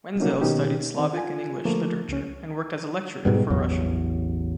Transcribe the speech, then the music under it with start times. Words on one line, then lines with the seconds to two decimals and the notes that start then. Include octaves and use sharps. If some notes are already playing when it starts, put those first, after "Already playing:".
Wenzel studied Slavic and English literature and worked as a lecturer for Russian.
0.20 C3 F#3 A#3 C#4 D#4
0.41 B2 D#3 A#3 C#4 D#4 G4
0.97 D#3 C4
1.13 F4 G#5
1.65 D3 F3 A3 A#3
2.09 C#2 C#4
3.25 G#2 B2 G3
3.50 A1 E2 F#3